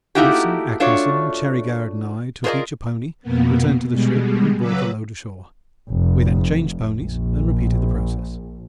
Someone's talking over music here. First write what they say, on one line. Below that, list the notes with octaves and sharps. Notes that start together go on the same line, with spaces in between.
Wilson, Atkinson, Cherry-Garrard, and I took each a pony, returned to the ship, and brought a load ashore; we then changed ponies and repeated the process.
A3 A#3 D#4 E4 F#4 G4
A3 D4 F4 F#4 C#5
F4 G#4 A#4 C5 D5 D#5
F2 B2 A#3 B3
B2 G3 G#3
C#3 F#3 B4 D6 E6
F1
A#1